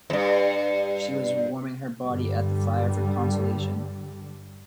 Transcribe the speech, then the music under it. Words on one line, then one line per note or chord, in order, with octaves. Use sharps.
She was warming her body at the fire for consolation.
E2 G2
G2 D3 G3